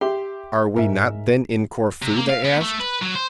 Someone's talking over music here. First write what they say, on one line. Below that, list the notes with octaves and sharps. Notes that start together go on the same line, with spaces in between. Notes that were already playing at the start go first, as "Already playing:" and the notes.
"Are we not, then, in Corfu?" they asked.
G4 E5 C6
G#2 A#4 E5
C3
A#3
F5
B3
A3
B4
F#3
C5